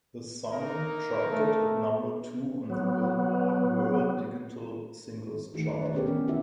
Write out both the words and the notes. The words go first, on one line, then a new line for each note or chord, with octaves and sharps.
The song charted at number two on the "Billboard" World Digital Singles chart.
A#3 D#4 A#4
A3
F#3 B3
D#3 E3 A3 F#4 G#4
B4 D5
D4 C#5
E3 B3 C#4 G4 G#4 A#4
E3 B3 C#4 D4
C#4 D4 E4 F#4 G4 E5